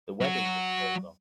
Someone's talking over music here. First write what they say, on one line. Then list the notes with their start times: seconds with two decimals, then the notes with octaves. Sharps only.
The wedding is called off.
0.21 F#3 F#4